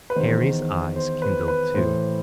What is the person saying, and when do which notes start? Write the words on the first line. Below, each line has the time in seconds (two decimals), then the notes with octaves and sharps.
Harry's eyes kindled, too.
0.10 B4
0.16 E2 D#3 C5
0.96 C5
1.22 B4
1.48 B4
1.74 A2 E3 C5